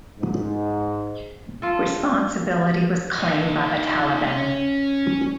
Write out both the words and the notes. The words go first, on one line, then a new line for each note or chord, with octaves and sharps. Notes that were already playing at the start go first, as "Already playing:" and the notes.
Responsibility was claimed by the Taliban.
G#2
F4 A4
D#4 F4
C#4